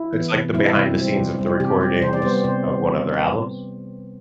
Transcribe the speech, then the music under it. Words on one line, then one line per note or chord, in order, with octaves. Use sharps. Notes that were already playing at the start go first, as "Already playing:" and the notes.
It's, like, the behind the scenes of the recordings of one of their albums?
Already playing: E4
E3 B3
C3
G3 C4 E4
C3
G3 C4
C3
G3 C4
C3 G4
G3 C4
C3 C5
D5
G3 B3 C5
C3 C5